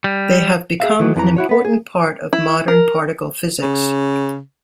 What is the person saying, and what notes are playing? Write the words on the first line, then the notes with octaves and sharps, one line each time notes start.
They have become an important part of modern particle physics.
G3
G#4 E5 F5
D#3 E3 F#3
F2 E3 G#4 A#5
E4 F#4 C#5
B3 B4
G#4
E4
A#4
C#3